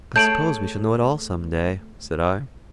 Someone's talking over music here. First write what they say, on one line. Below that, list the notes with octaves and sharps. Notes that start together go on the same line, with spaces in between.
"I suppose we shall know it all some day," said I.
A3 G#4 C#5 A5 G6 D7 F#7